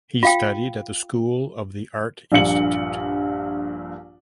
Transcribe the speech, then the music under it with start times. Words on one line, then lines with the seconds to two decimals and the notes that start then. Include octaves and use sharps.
He studied at the School of the Art Institute.
0.23 F4 F5 G5
2.32 A#1 G2 A#2 C#7 F#7